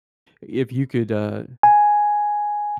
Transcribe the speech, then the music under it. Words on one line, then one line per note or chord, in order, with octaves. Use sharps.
if you could, uh,
G#5